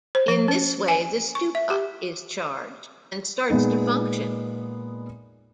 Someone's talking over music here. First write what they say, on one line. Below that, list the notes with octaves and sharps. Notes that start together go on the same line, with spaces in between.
In this way the stupa is charged, and starts to function.
C5
F3
C#4
G#5
C#6
E5
G4
A#2 G#3 B3 D#4